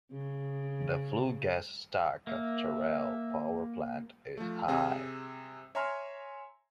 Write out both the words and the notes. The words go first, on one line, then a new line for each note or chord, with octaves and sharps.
The flue gas stack of Teruel Power Plant is high.
C#3
A#3 E5
F3 A3
C3 C4 G#4
C#5 E5 G#5 A#5 C6 F6